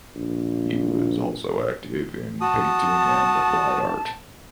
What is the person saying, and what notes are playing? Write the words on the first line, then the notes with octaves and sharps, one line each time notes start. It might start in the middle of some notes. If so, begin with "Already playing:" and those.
He was also active in painting and applied art.
A#1
F#4 A5 D#6